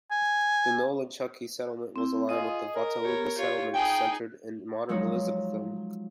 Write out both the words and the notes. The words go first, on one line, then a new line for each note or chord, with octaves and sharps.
The Nolichucky settlement was aligned with the Watauga settlement, centered in modern Elizabethton.
G#5
C4 E4
F4 G#4 D#5 D#6
A#4
B3 G4 C#5
F4 G4 C#5 F5
D#4 G#4 G5 G#5
F3 F#3 G#3 D#4 C#5